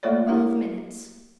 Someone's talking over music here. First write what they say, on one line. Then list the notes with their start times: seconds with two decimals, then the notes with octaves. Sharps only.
Twelve minutes.
0.03 A3 A#3 F4 A4 C#5 D5
0.26 G#3 A#3 D4 E4 G4